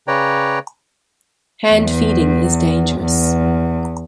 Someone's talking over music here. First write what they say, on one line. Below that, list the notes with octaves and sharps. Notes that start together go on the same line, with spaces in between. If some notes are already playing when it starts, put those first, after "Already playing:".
Hand feeding is dangerous.
C#3 B4 C#5 D5 G5 A#5
E2
E2